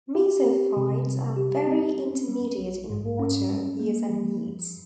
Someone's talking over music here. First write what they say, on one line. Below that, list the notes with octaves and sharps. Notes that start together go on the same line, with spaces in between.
Mesophytes are very intermediate in water use and needs.
G4
C4
C3
G3
G4
C4
C#4
G3
A#1
G#2
C#4
G3
A#3
F3